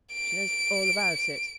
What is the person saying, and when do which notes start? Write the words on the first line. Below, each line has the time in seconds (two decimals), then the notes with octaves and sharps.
She knows all about it.
0.13 D7